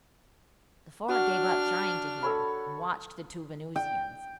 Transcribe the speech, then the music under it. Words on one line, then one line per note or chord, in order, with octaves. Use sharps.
The four gave up trying to hear, and watched the two Venusians.
D4 F#4 F6
A4 C#5 B5
G5